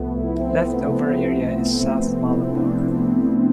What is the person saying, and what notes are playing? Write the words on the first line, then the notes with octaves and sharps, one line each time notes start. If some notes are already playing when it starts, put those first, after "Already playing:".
Left-over area is South Malabar.
Already playing: C2 F3 A3 B3
C2 E4
C2 C4
C2 B3
A3
C3 B3
F3
C2
C2
C3
C2
C3
C3 D4
F3
C2
C2